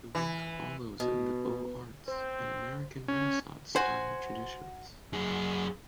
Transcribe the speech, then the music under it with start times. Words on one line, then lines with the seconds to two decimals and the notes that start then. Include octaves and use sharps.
The work follows in the Beaux Arts and American Renaissance style traditions.
0.15 E3
1.00 B2
2.08 C4 C5
3.08 C#4
3.76 F#4 C5 G#5
5.13 F#2 G#4